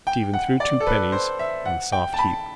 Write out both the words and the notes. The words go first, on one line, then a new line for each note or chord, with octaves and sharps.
Stephen threw two pennies on the soft heap.
G5
F#5
D5
A4
B4
C5
E5
F#5
G5
A5
B5